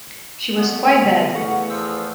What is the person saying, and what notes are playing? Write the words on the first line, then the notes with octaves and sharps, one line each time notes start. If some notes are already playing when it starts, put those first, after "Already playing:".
She was quite dead.
A3 B3
C#3
E2 A3 F5 F#5 C#6
F3 B3 C5 E6